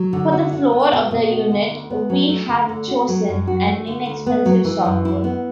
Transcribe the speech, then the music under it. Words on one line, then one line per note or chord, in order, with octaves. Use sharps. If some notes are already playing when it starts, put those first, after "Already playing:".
For the floor of the unit, we have chosen an inexpensive soft wood.
Already playing: F#3
D3
F#4
D4
B3
B2
B2
F#4
D3
D2
B3
F#3
A3
D3
D3
F#4
F#3
F#2
F#4
A3
D3
D2
B3
F#3
E3
F#2
E4
B3